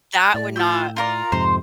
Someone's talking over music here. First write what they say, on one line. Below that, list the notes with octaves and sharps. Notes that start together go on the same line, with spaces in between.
That would not
F#6
A2 D5
F4 G5 E6
F4 A#4 D5 A#5
F2 G#2 C3 C5